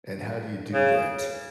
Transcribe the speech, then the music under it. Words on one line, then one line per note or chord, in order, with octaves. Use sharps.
and how do you do that?
C#3